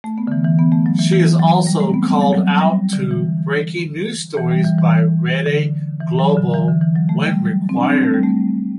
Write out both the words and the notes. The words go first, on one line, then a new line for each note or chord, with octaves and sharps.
She is also called out to breaking news stories by Rede Globo when required.
A3
B3
D3
E3
E3
B3
A3
F#3
E3
E3
F#3
G3
A3
C4
B3
G3
F#3
F#3
F#3
G3
D3
E3
E3
G3
E3
E3
D3
E3
F#3
D3
E3
D3
E3
F#3
A3
G3
F#3
C4
D4
C4
A3
G3
A3